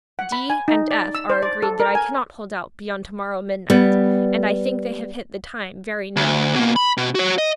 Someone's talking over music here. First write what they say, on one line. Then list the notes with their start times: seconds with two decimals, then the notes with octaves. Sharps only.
D---- and F---- are agreed that I cannot hold out beyond to-morrow midnight; and I think they have hit the time very nearly.
0.19 F#5
0.32 B5
0.50 G#5
0.68 D#4
0.91 D5
1.15 E6
1.30 C5
1.43 D5
1.62 A4
1.80 A#4
1.95 G#5
3.70 G3 B3
6.16 D2
6.55 B2 A#3
6.76 B5
6.97 B2
7.15 F#4 C#5
7.38 D#5